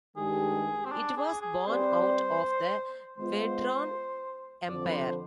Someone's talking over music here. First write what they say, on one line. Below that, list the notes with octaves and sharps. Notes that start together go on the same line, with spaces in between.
It was born out of the Vedran Empire.
G2 D#3 G#3 D4 G4 G#4
C4
D4
G#4
G#4
G3 C4 G4 B4 C5 D5
G#3 B3 F4 C5
F2 D3 F3 D5
B4
C5